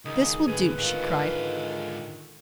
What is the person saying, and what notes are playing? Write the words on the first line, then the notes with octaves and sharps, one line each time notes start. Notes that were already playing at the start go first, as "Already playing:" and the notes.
"This will do!" she cried.
C#2 D#3 D#4 G#4
D2 G#2 D3 G#4 B4
G#2 D3 D#3 G#3 F4